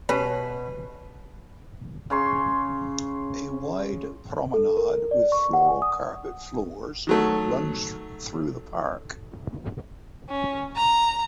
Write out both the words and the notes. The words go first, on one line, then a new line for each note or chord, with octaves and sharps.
A wide promenade with floral carpet floors runs through the park.
B2 G3 C#4 B4 C#5
C#3 C#5 C6
A4
A#4
D5
C#6
F#5
G#5
D#6
D#3 F#3 A3
C#4
A#5